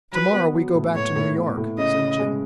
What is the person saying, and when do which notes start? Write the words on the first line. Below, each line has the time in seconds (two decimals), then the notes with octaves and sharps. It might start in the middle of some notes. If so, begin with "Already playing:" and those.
"To-morrow we go back to New York," said Jim.
0.13 F#3 B4
0.33 B3
0.55 F#3
0.74 A2
0.95 A2 C#5
1.16 A2
1.36 B3
1.57 A2
1.78 C#3 D#5
1.98 C#3
2.19 G#3